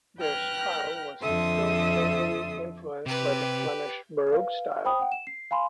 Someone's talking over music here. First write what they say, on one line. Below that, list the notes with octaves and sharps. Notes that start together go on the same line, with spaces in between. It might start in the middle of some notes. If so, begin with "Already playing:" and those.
Their style was still heavily influenced by the Flemish Baroque style.
B4 G5 F6 F#6 A#6
F2 D3 A4 E5 C6 D#6
C3 G4 B4
B4 F5
C5 G5 B5 D#6
F#5 G5
E7
C7
F5 G#5 B5 C6